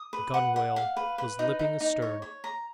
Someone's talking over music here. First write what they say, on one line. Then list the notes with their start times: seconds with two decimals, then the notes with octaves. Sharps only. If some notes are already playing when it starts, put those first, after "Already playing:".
The gunwale was lipping astern.
Already playing: D#6
0.13 B4
0.34 F#5
0.56 F#5
0.76 F5
0.97 B4
1.18 B4
1.39 D#4
1.59 D#4
1.81 D#4
2.02 C#5
2.22 C#5
2.44 A#5